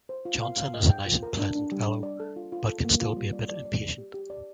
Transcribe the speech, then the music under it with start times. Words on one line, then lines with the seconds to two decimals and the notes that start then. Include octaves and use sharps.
Johnson is a nice and pleasant fellow, but can still be a bit impatient.
0.09 C5
0.25 F4
0.42 F5
0.58 F5
0.74 D#5
0.90 G5
1.06 F4
1.23 A#4
1.39 D4
1.55 D4
1.72 G3
1.88 D4
2.03 D5
2.20 A4
2.36 F4
2.52 F4
2.68 A4
2.84 A#3
3.01 F4
3.17 G3
3.33 D5
3.49 D5
3.65 D5
3.82 D5
3.98 G4
4.14 G4
4.30 D5